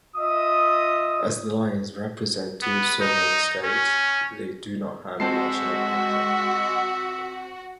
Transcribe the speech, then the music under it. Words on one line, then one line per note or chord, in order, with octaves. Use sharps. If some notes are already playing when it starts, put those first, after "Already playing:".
As the Lions represent two sovereign states, they do not have a national anthem.
F4 D#5 E5 D#6
B3
D#4
C#4
G#3 C4 F#4 E5 A5 C7